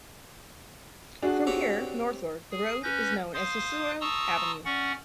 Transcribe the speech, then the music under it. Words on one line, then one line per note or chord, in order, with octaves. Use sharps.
From here northward the road is known as Cicero Avenue.
D4 F#4 G#4
C4 G4 C#5
G#4
C#4 B4 G6 A#6
C5 F5 C6 D#6
A5 A#5 C6 C#6 D#6 E6
C#4 D5 F#5 C#6